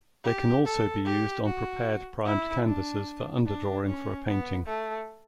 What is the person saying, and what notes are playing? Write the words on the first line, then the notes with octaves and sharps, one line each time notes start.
They can also be used on prepared primed canvases for underdrawing for a painting.
G4
A4
G4
F#4
E4
D4
D4
C#4
B3
A3